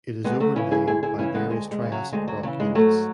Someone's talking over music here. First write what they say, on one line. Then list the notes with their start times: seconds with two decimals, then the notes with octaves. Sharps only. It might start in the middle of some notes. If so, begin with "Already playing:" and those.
It is overlain by various Triassic rock units.
0.24 D2 G#3 B3
0.40 F#3 A3
0.56 C#3 E3 C#4 E4
0.71 E4 G#4
0.87 D2 E4 G#4
1.03 E4 G#4
1.18 C#3 E3 C#4 E4
1.34 G#3 B3
1.50 D2 G#3
1.71 G#3
1.82 C#3 E3
1.92 F#3
2.13 D2 G#3
2.28 F#3
2.43 C#3 E3 F#3
2.60 G#3
2.75 G#2 F#3 A3